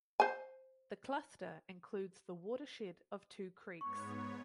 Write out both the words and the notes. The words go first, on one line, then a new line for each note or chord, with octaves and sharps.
The cluster includes the watershed of two creeks.
C5 G#5
G#2 B3 C#5 C#6